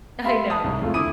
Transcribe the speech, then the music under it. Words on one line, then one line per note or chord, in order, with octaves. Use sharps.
I know.
G4 E5 F5 B5 C6
A5 D#6
C2 G#2
F2 C#3 A3 C#4 F4
D2 E4 D6 D#6 D#7